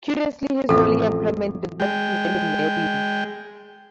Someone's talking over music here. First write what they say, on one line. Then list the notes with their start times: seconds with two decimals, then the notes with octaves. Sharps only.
Curiously his holy employment did not prevent him marrying.
0.69 A1 F2 A4
1.80 G#3 G5